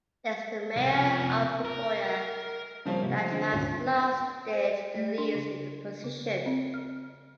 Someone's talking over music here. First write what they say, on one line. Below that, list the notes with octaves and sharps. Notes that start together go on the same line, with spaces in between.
Is the mayor of Vitoria that has lasted the least in the position.
C3 G3
C3 F4
A#4
C#3 F3 G3 A#3 C4 C#4
C3 A#3
F3 A3
D3 G#3 C4
D2 G2 A#2 C#4
C5
A3
D4
C#3
C#3
C4
F6